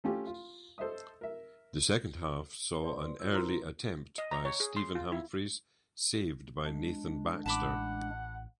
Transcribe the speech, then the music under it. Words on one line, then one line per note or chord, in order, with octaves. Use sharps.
The second half saw an early attempt by Stephen Humphrys saved by Nathan Baxter.
A3 C#4 F4 G4
F4
A4 C5 D#5 E5 D#6
A#4 E5
B4 C5 D5 C6
F4 C#5 E6
E4 F4 A#4 C5 A#5 C6
D#5
A#5
C#5
G#4
C6
F4
E4
G#3 D4
A1 F#5 A5 B5 D6